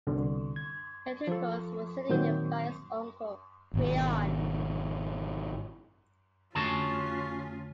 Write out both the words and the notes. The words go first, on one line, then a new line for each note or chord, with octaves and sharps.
Eteocles was succeeded by his uncle, Creon.
C2 B2 D3
G#6
F3 A4
A#2 D#3 F#3 C4 G6
G#1 B2
F2 D3 A3 C#4 F4 F#4 G#4 A5